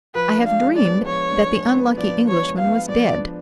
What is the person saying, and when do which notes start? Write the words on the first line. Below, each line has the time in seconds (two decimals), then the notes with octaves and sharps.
I have dreamed that the unlucky Englishman was dead.
0.15 F3 B4
0.39 D4
0.46 F5
0.61 G#3
0.77 D5
0.84 B3
1.06 F3 C#5
1.30 D4
1.52 G#3
1.74 B3
1.97 F3 D5
2.20 D4
2.28 C#5
2.43 G#3
2.58 F5
2.65 B3
2.89 F3 D5
3.12 D4